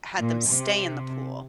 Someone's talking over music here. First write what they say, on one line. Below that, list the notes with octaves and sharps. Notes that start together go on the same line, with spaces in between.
had them stay in the pool
A#2
C3